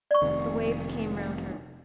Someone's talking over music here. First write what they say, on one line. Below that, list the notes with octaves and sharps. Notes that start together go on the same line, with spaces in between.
The waves came round her.
D5 C#6
F1 C3 D#3